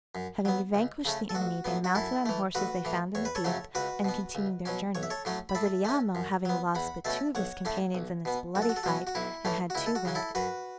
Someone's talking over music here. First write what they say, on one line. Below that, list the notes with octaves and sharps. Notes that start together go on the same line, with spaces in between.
Having vanquished the enemy, they mounted on horses they found in the field, and continued their journey; Brasiliano having lost but two of his companions in this bloody fight, and had two wounded.
F#2
F#3 B3
C#2
C#3 A3 C#4
A4
A1 F#4
A2 F#3 B3
F#4
F#2 E4 A4
E3 A3
A1 F#4 B4
A2 E3
E2 C#5
B4
A4 C#5
C#3 F#3 A3 C#4
C#2 F#4 B4
B2 B3
C#2
B2 F#3 C#4
B1 C#5
E5
A4 C#5
A2 F#3 A3 C#4
B5
A2 E5 A5
A3 C#4
F#2
F#3 B3
E2 F#5 B5
B2 A3 C#4 E5 A5
B1 C#5 F#5
A2 A3 C#4
B1
B2 B3
B1 F#4
A4
F#4
A4
B2 F#3 C#4 F#4
F#4
B1 E4
A2 E3 A3 C#4
F#4
C#2 E4
A4
F#4
C#3 F#3 C#4
E4 A4
F#2 F#4 B4